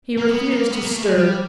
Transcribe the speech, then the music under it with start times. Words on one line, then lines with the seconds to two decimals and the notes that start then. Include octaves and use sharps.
He refused to stir.
0.17 A#3
0.29 B3
0.50 A#3
0.71 B3
0.83 A#3
0.93 A3
1.03 G#3
1.14 G3